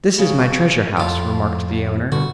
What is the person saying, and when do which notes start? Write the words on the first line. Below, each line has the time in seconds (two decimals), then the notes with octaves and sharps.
"This is my treasure house," remarked the owner.
0.19 C#3 F#3
0.97 F2 A2 F4
2.12 G2 B2 D3 F#4